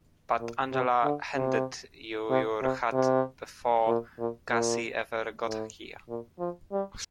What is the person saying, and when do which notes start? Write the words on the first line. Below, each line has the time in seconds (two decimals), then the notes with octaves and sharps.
But Angela handed you your hat before Gussie ever got here.
0.40 A#2
0.72 C3
1.03 D3
1.35 C3
2.30 C3
2.62 C3
2.93 C3
3.87 A#2
4.19 A#2
4.50 A#2
5.45 A2
6.09 A#2
6.39 F3
6.72 G3